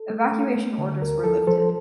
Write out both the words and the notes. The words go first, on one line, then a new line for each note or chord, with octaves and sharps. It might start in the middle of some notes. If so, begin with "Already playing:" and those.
Evacuation orders were lifted.
Already playing: A4
A3
A3
A3
D3
D2 A#4
F3 A4
F3 A4 C5